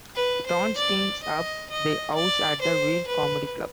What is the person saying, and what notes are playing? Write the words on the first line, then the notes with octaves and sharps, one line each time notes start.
Tron stinks up the house at a real comedy club.
B4
C5
D5
D#5
D#5
D5
C5
B4